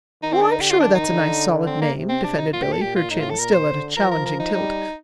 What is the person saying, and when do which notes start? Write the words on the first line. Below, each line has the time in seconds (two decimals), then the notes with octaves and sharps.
"Well, I'm sure that's a nice, solid name," defended Billy, her chin still at a challenging tilt.
0.23 D#3 D#4
0.33 C4
0.41 D4
0.51 D3 D#4
0.61 G4
0.70 F4
0.80 D#3 D4
0.95 D#4
1.09 D3
1.67 C4
1.81 A#3
1.96 C3
2.09 C4
2.24 D4
2.38 D#4
2.53 A#2 F4
2.62 G4
2.72 A4
2.81 A#2 G4
2.96 F4
3.10 A2 D#4
3.20 F4
3.30 A4
3.39 A#2 A#4
3.54 C5
3.68 D3
3.97 F3 A#4
4.11 A#4
4.26 A#4
4.40 D#4
4.54 G3 D#4